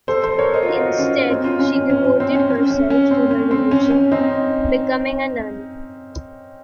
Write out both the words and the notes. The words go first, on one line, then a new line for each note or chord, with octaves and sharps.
Instead, she devoted herself to her religion, becoming a nun.
A4 C5
A4 C5
A#4 C#5
C5 D#5
F4
D#4 F#4
C#4 F4
C4 D#4
C#4 F4
C#4 F4
C#4
C#4
C#4
C4
C#4
C#4
C#4
C#4
C4
C#4
C4
C#4
C#4
C4 D#4